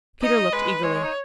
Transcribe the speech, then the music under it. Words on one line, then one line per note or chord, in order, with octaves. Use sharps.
Peter looked eagerly.
D#4 D#5
G#3 B4
G#3 C#5
G#3
D#4